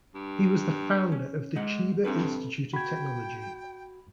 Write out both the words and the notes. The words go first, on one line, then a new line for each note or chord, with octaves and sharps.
He was the founder of the Chiba Institute of Technology.
G2
C#4
G#3 D#5 F#5
G2 C4 A4 B4
F#4 G5 B5 G#6